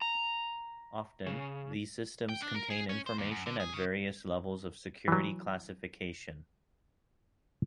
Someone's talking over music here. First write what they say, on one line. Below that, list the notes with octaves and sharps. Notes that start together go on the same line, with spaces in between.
Often, these systems contain information at various levels of security classification.
A#5
C#3
G5
D4
A#4
G#4
C#4
C5
D#2
F#2
D3
G#4
C#3
E3 F#3